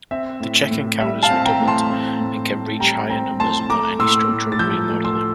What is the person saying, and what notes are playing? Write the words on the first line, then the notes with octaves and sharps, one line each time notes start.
The check-in counters were doubled and can reach higher numbers without any structural remodeling.
C4 E5
A2
A2
G3 E5
F5 A5
C4
G5 A#5
A2
A5 C6
C4
A2
A2
G3 G5 A#5
C4 G5 A#5
A2 A5 C6
A3 A#5 D6
A2 C6 E6
A2
A6
F3 E6 G6
A3
C6 E6
A2